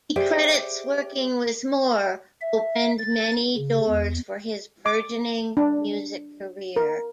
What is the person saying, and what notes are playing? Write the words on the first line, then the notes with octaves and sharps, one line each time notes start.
He credits working with Moore opened many doors for his burgeoning music career.
G4 G#4 C5 D5 E5 G5
E5
A6
C#3
E2
D6
D4
A#4